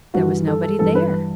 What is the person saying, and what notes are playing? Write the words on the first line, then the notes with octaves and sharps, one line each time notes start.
There was nobody there.
G2 E3 F#4
A4
A4
G2 E3 A4
B4